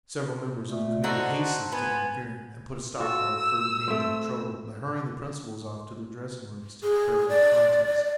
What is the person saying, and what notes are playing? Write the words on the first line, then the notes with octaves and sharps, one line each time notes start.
Several members of the committee hastened to interfere, and put a stop to all further danger of trouble by hurrying the principals off to their dressing-rooms to prepare for the contest.
A#2 A3
D3 D#4 F#4 C5 F#5 A5
B3 G#5
F4 F#4 A4 E6
A3 C4
G#4
D5